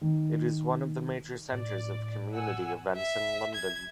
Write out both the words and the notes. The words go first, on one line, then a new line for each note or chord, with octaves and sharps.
It is one of the major centres of community events in London.
D#3
A2 D5
F#5 G#5 E6
E5
G#6